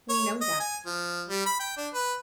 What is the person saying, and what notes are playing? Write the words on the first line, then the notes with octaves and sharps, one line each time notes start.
We know that.
C#5
D#5
G#5
F3
G3
B5
G5
D4
B4